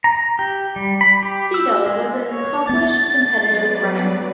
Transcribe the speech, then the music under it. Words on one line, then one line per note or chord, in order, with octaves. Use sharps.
Segal was an accomplished competitive runner.
A#5
G4
G3
B5
G4
E6
G#3
C#5
B3 A6
F#3 B4 D5